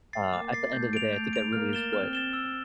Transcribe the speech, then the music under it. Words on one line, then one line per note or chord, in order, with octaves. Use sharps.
uh, at the end of the day, I think that really is what
A6 C7
A#3 D6
A6 C7
A3 G6
D7 F7
A3 G6
D7 F7
A#3 F6
A6 E7 G7
C4 F6
A6 E7 G7
E6